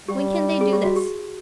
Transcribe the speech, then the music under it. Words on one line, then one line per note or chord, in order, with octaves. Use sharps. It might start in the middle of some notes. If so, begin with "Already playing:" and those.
When can they do this?'
G3 G4
G#4
G4
F#4
G4